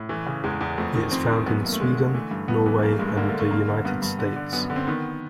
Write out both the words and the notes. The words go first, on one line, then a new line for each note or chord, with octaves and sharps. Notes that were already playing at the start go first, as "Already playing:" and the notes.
It is found in Sweden, Norway, and the United States.
Already playing: A2
E3 A3
C#3
E2 G#3
E2
F2 A3
D#3
F2 C4
D#3
F#2 B3
F#2 A#3
A3
D3 G#3
D3
E3 A3
G2
G2 B3
E3 B3
A3
G2 A#3
A3
G2 G#3
A3
D3 A#3
A3
D3
A3
G2 A#3
D3
G2 B3
G2
D3
D3
F#2 B3
D3
C4
D#3 B3